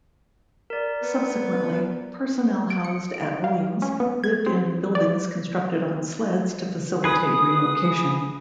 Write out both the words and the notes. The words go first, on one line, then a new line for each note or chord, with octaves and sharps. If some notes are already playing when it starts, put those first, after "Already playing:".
Subsequently, personnel housed at Williams lived in buildings constructed on sleds to facilitate relocation.
A#4 D5
B3
D7
C#7
D7
F5
C#4
B3
G#6
C4
D5
G#4 B4 D#6